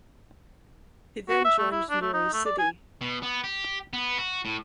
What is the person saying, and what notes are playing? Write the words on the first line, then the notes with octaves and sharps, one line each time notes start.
He then joined Newry City.
F#4
E5
A3
E4
D4
A3
D#4
A3
D5
G#5
B2
B3
G4
B3
F#4
A2